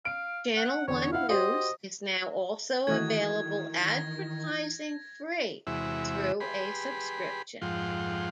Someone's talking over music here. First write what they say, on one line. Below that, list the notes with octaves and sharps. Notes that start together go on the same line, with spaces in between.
Channel One News is now also available advertising-free through a subscription.
F5 D7
F#5
E2 D3 C#5
E4 F5 F#5
F#4 G4 C5 D#5
D#3 E3 A3 E4 F#4 D#5 G#6
A#6
E2 C3 G#3 E4 F#4 E5
G4 G#4 B4 B5 C6
F2 G#2 F3 F4 F#5 G5